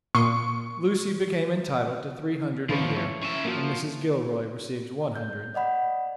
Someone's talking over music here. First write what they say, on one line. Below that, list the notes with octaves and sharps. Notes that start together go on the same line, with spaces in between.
Lucy became entitled to three hundred a year, and Mrs. Gilroy received one hundred.
A#2 C6 C#6 D#6
D2 D#3 F3 B4 C#5
E4 C#5
C#4 E5
F3 A#3 F#4
G6
D5 D#5 F#5 B5